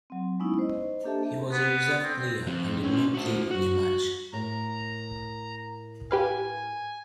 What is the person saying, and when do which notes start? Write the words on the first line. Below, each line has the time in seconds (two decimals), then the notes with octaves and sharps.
He was a reserve player and did not play in a match.
0.10 F#3 C4
0.40 G#3 B3 C#4 D#4 E4
0.59 C5 D#5
1.04 A#3 D4 G4 A4 E5 A5
1.52 B3
2.03 C4
2.47 F2 C4
2.83 C#4 C6
3.14 F#4 C5
3.51 F#4
4.33 A2 A#4 A#5
6.11 G4 B4 F5 G#5